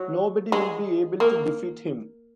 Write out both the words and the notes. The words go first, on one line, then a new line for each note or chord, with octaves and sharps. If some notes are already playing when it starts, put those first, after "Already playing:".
Nobody will be able to defeat him.
Already playing: F#3
G#3
A#3